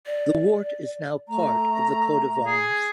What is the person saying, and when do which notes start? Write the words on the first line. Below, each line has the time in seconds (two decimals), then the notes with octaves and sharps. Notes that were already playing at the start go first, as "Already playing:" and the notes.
The Warte is now part of the coat of arms.
0.06 D5
1.27 A3 A#5
2.46 G#4